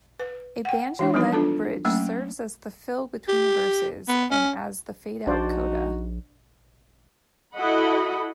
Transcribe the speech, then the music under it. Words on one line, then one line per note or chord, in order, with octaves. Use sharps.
A banjo-led bridge serves as the fill between verses and as the fade-out coda.
B4
F#5 G5
E3 G#3 D4 E4 C#5
F3 G3 B3 D#4 F#4 B4
D4 F4 A4 A5
F#3 A3 A#3 C#4
G4
B3
C#4
A#1 D4 D#4 F#4 C5 D5
E4 F#4 A4 D#5 F#5 B5